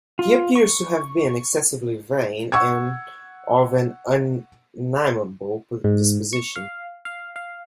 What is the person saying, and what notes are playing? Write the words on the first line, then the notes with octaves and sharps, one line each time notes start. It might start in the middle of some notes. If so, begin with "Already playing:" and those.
He appears to have been excessively vain and of an unamiable disposition.
F4
C#6
F#5 C#6 E6 G#6
G#2
C#6
F5
F5
F5